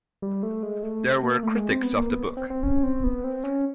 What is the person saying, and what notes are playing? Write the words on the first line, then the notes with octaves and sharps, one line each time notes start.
There were critics of the book.
G3
A3
G#3
A3
A#3
A3
G#3
C4
B3
A#3
B3
C4
C4
C#4
C4
B3
C4
C#4